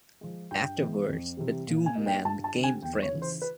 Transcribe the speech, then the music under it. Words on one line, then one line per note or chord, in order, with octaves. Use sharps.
Afterwards, the two men became friends.
F3 G#3
G2 G5
E3 G#3 B3
F2
C3 E3 G3
A#2
G#5
G3 A#3 D#4
G5
G2 A5
A5
D3 G3 C4
G#5
E2 G5
C#5
C#3 E3
C5
B4